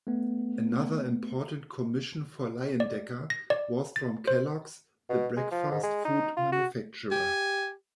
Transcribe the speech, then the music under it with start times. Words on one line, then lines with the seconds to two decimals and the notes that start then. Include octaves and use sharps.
Another important commission for Leyendecker was from Kellogg's, the breakfast food manufacturer.
0.07 A3 B3
2.80 D5
3.30 A#6
3.50 D5
3.96 A6
4.28 C5
5.10 B2
5.37 G#3
5.51 F3
5.72 G#2
5.83 G#3
6.05 D#4
6.37 F4
6.52 F#4
7.12 G4 G#5